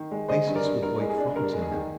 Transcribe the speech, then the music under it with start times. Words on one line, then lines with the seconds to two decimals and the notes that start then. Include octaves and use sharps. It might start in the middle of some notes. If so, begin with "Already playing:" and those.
Places with white frogs in them.
Already playing: D#3
0.11 G#3
0.28 G#3 C5 D#5
0.47 G2
0.55 A#4 D5
0.65 G2
0.82 G2 A#4
0.99 G#3
1.10 G#4
1.18 D4
1.36 G2 A#4
1.53 G#3
1.62 G#4
1.71 D#3